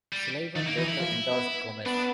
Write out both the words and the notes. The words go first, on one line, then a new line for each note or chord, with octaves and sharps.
Sullivan later endorsed Gomez.
G3
D#3 A3
A#3
E3 D#4
E4
F3
B3
B3 D4